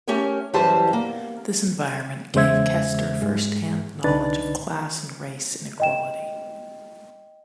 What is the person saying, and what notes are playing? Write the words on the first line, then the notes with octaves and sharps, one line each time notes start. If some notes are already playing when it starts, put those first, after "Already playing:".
This environment gave Kester first hand knowledge of class and race inequality.
A3 C#4 G4 A#4 C#5
F#2 E3 G3 G4 C5 A5
A#3
E2 C#3 G#3 C5 E5 G#6
G#2 G#3
C2 D3 D4 D#4 B4 A6
D#5 G5 E7